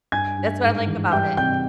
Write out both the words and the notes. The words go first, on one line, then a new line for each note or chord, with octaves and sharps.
That's what I like about it.
G2 G#5 G#6
G2
G#2
E3
G3 G5 G6
C3 G5 G6